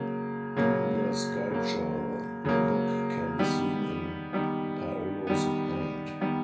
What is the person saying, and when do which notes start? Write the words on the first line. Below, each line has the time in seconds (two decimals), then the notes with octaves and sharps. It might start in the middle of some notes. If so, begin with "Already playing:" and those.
In the sculpture, the book can be seen in Paolo's hand.
Already playing: C#3 F#3 A#3
0.56 C#3 F#3 A#3
1.50 C#3 F#3 A#3
2.45 C#3 F#3 A#3
3.39 D#3 G3 B3
4.33 D#3 G3 B3
5.27 D#3 G3 B3
6.21 D#3 G3 B3